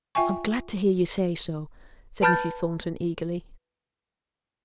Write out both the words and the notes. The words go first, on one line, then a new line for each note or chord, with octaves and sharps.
'I'm glad to hear you say so,' said Mrs. Thornton, eagerly.
F4 E5 G5 G#5 C#6
B4 A5 B5 F6 G6 A6